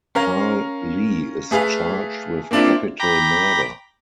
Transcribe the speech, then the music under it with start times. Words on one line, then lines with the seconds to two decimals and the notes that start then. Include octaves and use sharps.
Carl Lee is charged with capital murder.
0.15 C#4 A#4 F5
1.51 A3 G#4 B4 F5
2.51 A#3 C4 D4 E4 F4
3.00 G5 A#5 B5 D6